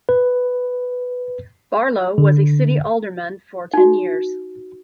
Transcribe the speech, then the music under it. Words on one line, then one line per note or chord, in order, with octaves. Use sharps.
Barlow was a city alderman for ten years.
B4
D3
D#4 F#4